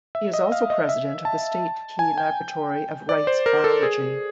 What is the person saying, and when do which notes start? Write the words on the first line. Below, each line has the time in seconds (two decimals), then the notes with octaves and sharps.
He is also president of the State Key Laboratory of Rice Biology.
0.15 E5
0.34 D#5
0.52 F5
0.70 D#5
0.89 E5
1.25 A5
1.99 G#5
2.18 G5
3.09 D5
3.27 C5
3.46 A#4
3.64 A4
3.83 G#4